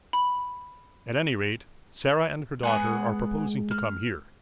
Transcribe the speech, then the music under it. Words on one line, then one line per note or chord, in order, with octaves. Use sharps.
"At any rate, Sarah and her daughter are proposing to come here."
B5
G#3 B3 G#4 F#5
F6